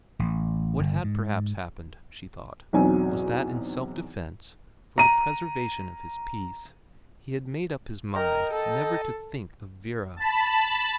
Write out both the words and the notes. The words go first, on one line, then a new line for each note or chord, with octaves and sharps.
What had perhaps happened, she thought, was that in self-defence, for the preservation of his peace, he had made up his mind never to think of Vera.
A1
G1
G#2
B1 E2 F#3 C4 D#4 G#5
A#5 D#7
A#4 D#5 G5 A#5
A4
A5 B5